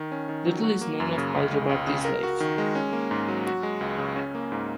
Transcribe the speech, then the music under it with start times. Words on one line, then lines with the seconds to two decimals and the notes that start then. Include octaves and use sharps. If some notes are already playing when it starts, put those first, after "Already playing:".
Little is known of Al-Jabarti's life.
Already playing: D#3
0.12 C#4
0.29 D#3
0.46 F#3
0.64 F#4
0.81 A#3
1.00 F#2
1.18 C#3
1.35 C#2
1.52 G#3
1.69 C#2
1.87 C#3
2.05 A#4
2.23 F#4
2.40 D#3
2.58 G#3
2.75 C#4
2.93 A#3
3.11 G#2
3.28 F#3
3.47 F#4
3.63 G#3
3.81 C#2
3.98 C#3
4.16 C#4
4.35 A#3
4.52 G#2